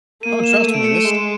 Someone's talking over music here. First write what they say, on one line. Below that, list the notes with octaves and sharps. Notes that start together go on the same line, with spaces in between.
Oh, trust me, this
A#3 D#7
E7
A3 D#7
D7
C#7
D#7
G#3